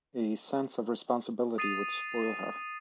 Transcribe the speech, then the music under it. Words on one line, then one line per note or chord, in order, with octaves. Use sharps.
A sense of responsibility would spoil her.
D#6 A6 C7 D#7